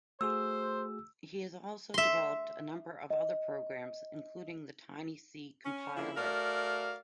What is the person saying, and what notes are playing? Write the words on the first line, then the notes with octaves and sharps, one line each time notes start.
He has also developed a number of other programs, including the Tiny C Compiler.
A3 F#4 G#4 C5 E6
E5 C6
D#5
C#4
C#3 F3 A#3 E4
A3 F#4 A#4 D5 F5